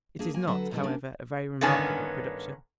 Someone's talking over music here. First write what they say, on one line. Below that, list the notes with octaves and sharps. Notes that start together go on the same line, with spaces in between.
It is not, however, a very remarkable production.
A#3 D4 G#4
A#3 G#5
D3 F#3 A4 B4 F#5
G#2 B2 D3 E3 F3 G3
A#3 C#4 D4
G2 D3 D#3 B3 C#4 G#5